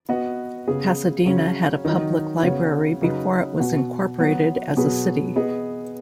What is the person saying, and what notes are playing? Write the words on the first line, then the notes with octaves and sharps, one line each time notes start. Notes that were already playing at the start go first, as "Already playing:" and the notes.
Pasadena had a public library before it was incorporated as a city.
B3 F#4 D#5
C#3 B3 G#4
C#3 F#3 C#4
D#3 F#3 D#4
C#3 B3 F#4 C#5
C#3 F#3 D#4 B4
B2 B3 F#4
F#3 B3 F#4
B2 F#3 B3 G#4 B4
B3 G#4 D#5